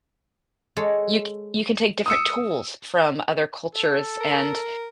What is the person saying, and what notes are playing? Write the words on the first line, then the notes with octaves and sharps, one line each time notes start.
you c you can take different tools from other cultures, and
G#3 A4 C#5
D#6 E6 C#7
A4
A#4